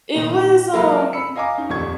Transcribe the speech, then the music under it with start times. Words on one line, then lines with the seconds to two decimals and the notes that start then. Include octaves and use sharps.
It was, um
0.16 A#2 D#3
0.74 F#3 G#3 A#3 E4 F4 A#4
1.13 B5 E6 C#7
1.36 D#5 F5 G#5 A#5 D6
1.58 C#4 D#4
1.69 D#1 F2 C#6 G#6